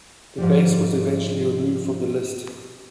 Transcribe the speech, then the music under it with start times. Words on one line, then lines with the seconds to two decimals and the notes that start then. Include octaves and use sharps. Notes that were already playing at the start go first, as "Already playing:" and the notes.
The base was eventually removed from the list.
0.38 G#2 F3 G3